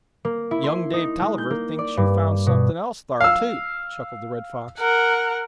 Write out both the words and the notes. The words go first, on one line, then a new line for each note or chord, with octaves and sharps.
"Young Dave Tolliver thinks you found somethin' else thar, too," chuckled the Red Fox.
A#3
E4
C6
D#4
G#3
G6
A#3
D5
G2
B2
F5 E6
A#4 F#5